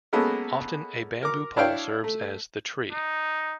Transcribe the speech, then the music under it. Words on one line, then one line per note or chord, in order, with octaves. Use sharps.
Often a bamboo pole serves as the "tree".
G#3 A#3 B3 C#4 A4
A#4 D6
D4 E4 C#5 F5 G5
A3
D#4